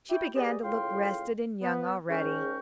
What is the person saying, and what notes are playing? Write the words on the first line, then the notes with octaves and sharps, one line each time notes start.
She began to look rested and young already.
E4 F#4 G5
G4 G#4 B4 D5 D#5
C#2 A2 F5 G5 C6
B3
G#2 C#3 C#4 A#4 G5 C#6